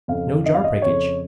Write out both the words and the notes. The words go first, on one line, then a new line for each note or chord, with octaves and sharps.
No jar breakage.
F2 C#3 F5
D#5
F5
D#5
F2 C#3 C#5